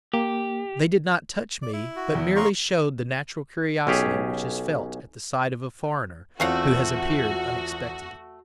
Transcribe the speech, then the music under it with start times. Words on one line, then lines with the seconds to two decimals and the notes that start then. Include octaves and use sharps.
They did not touch me, but merely showed the natural curiosity which is felt at the sight of a foreigner who has appeared unexpectedly.
0.14 A#3 G4
1.62 D5
1.74 E4
1.96 F#4
2.15 E2
2.36 C#3 A#5 C6 C#6
3.87 B1 C#4 G4 G#4
6.40 E2 A3 C4 F4 F#4 F5 F#5